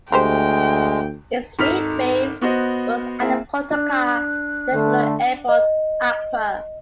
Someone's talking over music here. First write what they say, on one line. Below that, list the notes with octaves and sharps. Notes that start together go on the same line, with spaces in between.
Its main base was at Kotoka International Airport, Accra.
D2 G#3 A3 G4 C5 G5
G#1 D#4 A4 F6 B6 F7
B3 F#4 C5 D#5
A#3 C4 E4 G#4
D4 F#6
D3 A3
D#5